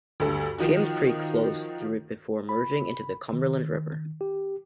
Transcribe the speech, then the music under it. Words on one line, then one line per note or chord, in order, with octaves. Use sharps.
Jim Creek flows through it before merging into the Cumberland River.
D2 G2 A4
D#3 F3 D#4 F#4
B5
D#3
G4